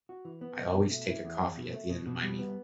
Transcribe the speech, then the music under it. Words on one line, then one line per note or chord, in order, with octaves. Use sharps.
I always take a coffee at the end of my meal.
F#4
E3
B3
B2
B2
A3
E4
E2
E2
B2
A3
B2
B2
G3
B3